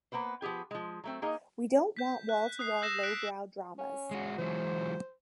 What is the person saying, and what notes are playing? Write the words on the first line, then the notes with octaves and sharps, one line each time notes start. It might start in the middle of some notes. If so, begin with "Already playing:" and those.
We don't want wall-to-wall lowbrow dramas!
A#3 B3 B4 C5
F3 B3 G4 G#4
F3 G#3
F#3 A3 C4
A#3 D#4 G#4 D#5 F5
G6 B6
F#6
D#6 F#6 C7
D#6 E6 G6 A#6 E7
F#6 B6 C7 D7
C#4
G#3 F#4
E3 F#3 G#3 C5